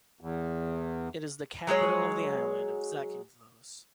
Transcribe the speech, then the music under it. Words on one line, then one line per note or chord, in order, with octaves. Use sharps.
It is the capital of the island of Zakynthos.
E2
F#3 G#3 G#4 C#5